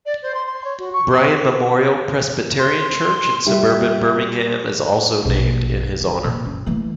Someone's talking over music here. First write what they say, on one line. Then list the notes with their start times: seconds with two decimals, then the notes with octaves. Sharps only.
Bryan Memorial Presbyterian church in suburban Birmingham is also named in his honor.
0.05 D5
0.22 C5
0.34 C6
0.46 C6
0.64 C#5
0.78 F#4
0.92 C#6
1.09 C6
2.59 C6
3.47 G3 E5
5.25 A#1 B2
6.01 D3
6.25 A#2
6.46 F#2
6.66 E3 A3